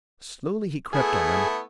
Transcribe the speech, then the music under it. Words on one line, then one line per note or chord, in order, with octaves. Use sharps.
Slowly he crept on them.
A3 B3 E4 G#4